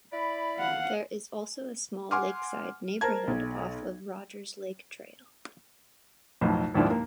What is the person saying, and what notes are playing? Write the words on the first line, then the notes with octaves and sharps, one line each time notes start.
There is also a small lakeside neighborhood off of Rogers Lake Trail.
E4 D5 B5
F5 F#5
F#5 G#5 C6 D6 F6
A#4 C5 A5 A#5 G#6
B1
B1 F2 A2
G#1 D#2 A#2 F3 D4 E4
A#3